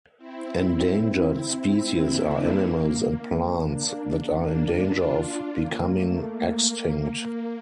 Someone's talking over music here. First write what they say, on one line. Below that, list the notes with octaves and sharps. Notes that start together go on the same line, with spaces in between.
Endangered species are animals and plants that are in danger of becoming extinct.
C4 E4
C4 E4
C4 E4
C4 E4
A#3 D4
A#3
A#3 D4
A#3 D4
D4 F4
A#3
A3
A#3